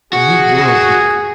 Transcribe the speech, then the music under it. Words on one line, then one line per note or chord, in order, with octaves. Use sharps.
A new world here.
F#4 G#4